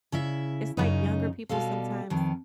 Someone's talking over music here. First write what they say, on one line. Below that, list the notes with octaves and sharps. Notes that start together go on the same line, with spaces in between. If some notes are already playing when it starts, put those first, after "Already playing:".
It's like younger people sometimes
C#3 E4 E5
F#2 C#3 D#4
B2 G3 A4 F5
F2 D#3 B3